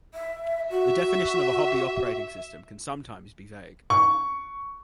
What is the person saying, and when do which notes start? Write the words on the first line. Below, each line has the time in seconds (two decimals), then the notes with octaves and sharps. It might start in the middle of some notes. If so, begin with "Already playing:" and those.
The definition of a hobby operating system can sometimes be vague.
0.14 E5
0.71 F#4 E5
3.90 C#6